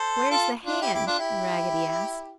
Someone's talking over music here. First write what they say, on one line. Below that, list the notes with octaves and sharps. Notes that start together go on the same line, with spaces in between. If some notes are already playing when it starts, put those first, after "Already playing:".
"Where's the hand?" Raggedy asked.
Already playing: A4 C5
F4 A4
D4 F4
E4 G4
E4 G4
D4 F4
E4 G4